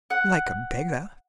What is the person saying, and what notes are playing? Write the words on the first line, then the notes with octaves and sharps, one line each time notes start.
"Like a beggar."
F#5